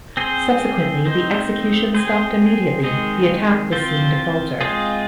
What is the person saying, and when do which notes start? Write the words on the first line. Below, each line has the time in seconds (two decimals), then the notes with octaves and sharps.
Subsequently the executions stopped immediately the attack was seen to falter.
0.17 C4 G#4 C5
1.05 C4 D#4 C5
1.95 C4 G#4 C5
2.83 D#3 G#3 C4 G#4
3.72 F3 C4 F4 C5
4.61 G#3 C4 F4 G#4